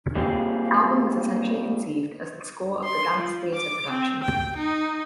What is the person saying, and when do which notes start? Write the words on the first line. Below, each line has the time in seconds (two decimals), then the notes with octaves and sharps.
The album was essentially conceived as the score of the dance theatre production.
0.15 G3 A#3 C4 F4 G4 G#4
2.85 C6
3.17 F3
3.54 D6
3.90 C4
4.23 G5
4.56 D#4